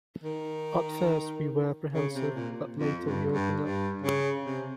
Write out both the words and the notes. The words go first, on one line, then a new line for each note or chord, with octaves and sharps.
At first we were apprehensive, but later we opened up.
D#3
C#3
C3
A#2
F2
G2
G2
G2
C#3
C3